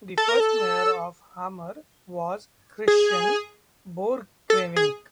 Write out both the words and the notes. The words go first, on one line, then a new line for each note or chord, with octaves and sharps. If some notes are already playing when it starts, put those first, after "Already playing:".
The first mayor of Hamar was Christian Borchgrevink.
A4
A#4
A4
G#4
A4
G#4